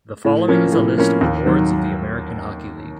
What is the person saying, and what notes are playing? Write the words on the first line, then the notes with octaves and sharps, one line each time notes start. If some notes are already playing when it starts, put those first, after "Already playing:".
The following is a list of awards of the American Hockey League.
A2
F3 A#3 C#4
A2
F3 A#3 C#4
D#2
D#3 F#3